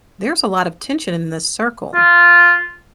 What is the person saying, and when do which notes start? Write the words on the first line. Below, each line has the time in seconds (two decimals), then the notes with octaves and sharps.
There's a lot of tension in this circle.
1.94 F4